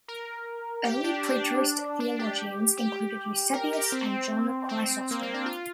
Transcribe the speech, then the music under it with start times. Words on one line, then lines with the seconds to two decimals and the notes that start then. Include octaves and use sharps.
Early Preterist theologians included Eusebius and John Chrysostom.
0.08 A#4
0.85 G4
1.04 D4
1.23 D4
2.00 D4
2.19 G4
2.78 G4
3.54 A#4
3.73 G4
3.92 C4
4.69 C4
5.11 A#3
5.23 C4
5.34 D4
5.46 F4